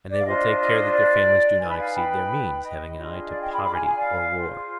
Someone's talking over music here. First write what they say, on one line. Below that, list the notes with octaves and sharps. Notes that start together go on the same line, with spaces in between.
And they will take care that their families do not exceed their means; having an eye to poverty or war.
D5
F5
D4 F4 C5 D#5
D#5
D5
D#4 B4 G#5
B5
F5 G#5
G5 B5
D#5
D4 F4 G#4
D5 F5
D#5 G5
G5 B5
B5 D6
F5 G#5
F5 G#5
D5 F5
F4 G#4 C5